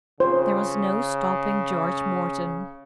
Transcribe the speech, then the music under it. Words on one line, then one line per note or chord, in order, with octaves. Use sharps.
There was no stopping George Morton.
C#3 C5